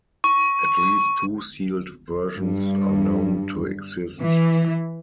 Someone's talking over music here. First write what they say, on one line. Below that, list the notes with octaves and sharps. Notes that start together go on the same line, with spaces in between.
At least two sealed versions are known to exist.
C#6
G2
E3